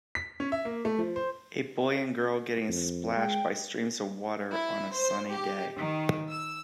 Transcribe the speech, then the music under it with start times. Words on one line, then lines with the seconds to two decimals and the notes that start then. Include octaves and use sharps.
A boy and girl getting splashed by streams of water on a sunny day.
0.15 B6
0.40 C#4
0.52 E5
0.65 A#3
0.85 A3
0.98 F3
1.16 C5
2.69 F2
3.16 G#3 G5
4.53 E4
4.94 C5
5.32 G4
5.77 D#3
6.31 E6